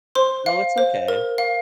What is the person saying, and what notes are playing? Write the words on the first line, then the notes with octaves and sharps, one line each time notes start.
no, it's okay.
C5 C6
F5
C5
A#4
F5